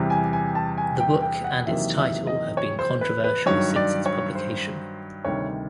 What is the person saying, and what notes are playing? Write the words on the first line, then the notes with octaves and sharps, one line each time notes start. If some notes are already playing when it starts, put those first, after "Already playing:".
The book and its title have been controversial since its publication.
Already playing: E2 C3 E3 G3
G#5
G#5
A5
G#5
G5
G5
F#5
E2 C3 D#3 F#3 A#3 E5
E5
D#5
C#5
C5
B4
B4
G2 D#3 F#3 C#5
D5
C#5
C5
D2 C3 D#3 G3 C#5